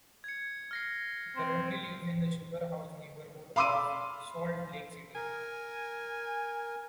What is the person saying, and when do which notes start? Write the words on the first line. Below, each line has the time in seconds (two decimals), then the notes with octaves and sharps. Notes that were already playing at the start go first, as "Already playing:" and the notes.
She currently lives in the Sugar House neighborhood of Salt Lake City.
0.24 G#6 C#7
0.71 F6 A#6 C7
1.36 C4
3.56 F5 B5 C6 D6 E6 D#7
5.15 A#4 G#5